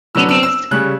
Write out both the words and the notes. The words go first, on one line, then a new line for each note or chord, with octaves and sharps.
it is,
D3 F#3 B3 D4 E6
E6
E6
C#3 G3 C#4 F#6